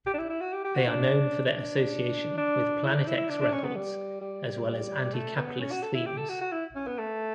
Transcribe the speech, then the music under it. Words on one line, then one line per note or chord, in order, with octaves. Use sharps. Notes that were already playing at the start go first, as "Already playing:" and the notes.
They are known for their association with Plan-It-X Records, as well as anti-capitalist themes.
G4
D4
E4
E4
F#4
G4
G4
F#4
D4
D4
D4
E4
D4
E4
E4
D4
D4
C#4
B3
G3
G3
A3
B3
C#4
F#4
A4
E4
G4
A4
F#4
F#4
E4
C#4
B3
A3